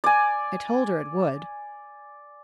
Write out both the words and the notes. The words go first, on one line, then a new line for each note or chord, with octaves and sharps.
"I told her it would."
D5 G#5